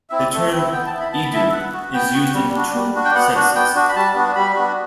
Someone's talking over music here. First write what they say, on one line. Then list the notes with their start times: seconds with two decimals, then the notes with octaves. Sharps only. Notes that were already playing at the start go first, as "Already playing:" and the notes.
The term "idu" is used in two senses.
0.10 C4 E4 E5
0.19 D5
0.33 A3 E5
0.53 C4 E4
0.73 B3 G5
0.86 A5
0.92 E4
1.00 B5
1.12 B3 A5
1.24 B5
1.33 E4 A5
1.49 E5
1.53 B3 F#5
1.73 F#4
1.93 B3 G5
2.14 F#4
2.34 G3
2.55 D4 F#4
2.75 G3
2.95 D4 F#4
3.05 G5
3.14 B3 F#5
3.35 D4 F#4
3.55 B3 G5
3.76 D4 F#4
3.89 B5
3.96 G3 A5
4.15 B3 D4 F#4
4.35 G3 B5
4.56 B3 D4 F#4